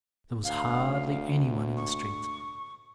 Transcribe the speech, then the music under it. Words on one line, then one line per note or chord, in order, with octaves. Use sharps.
There was hardly anyone in the streets.
D2 F5
C#6